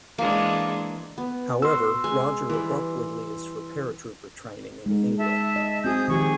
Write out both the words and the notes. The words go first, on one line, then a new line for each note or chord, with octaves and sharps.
However, Roger abruptly leaves for paratrooper training in England.
E3 G#3 A#3 D4
B3
F#4 C6 E6
G#3 G#5
E3 G3
G#3 D#4
E5 A5
D#5
C4 F#4 G#4 D#6 G6
D#3 F3 G4 G#4 C#6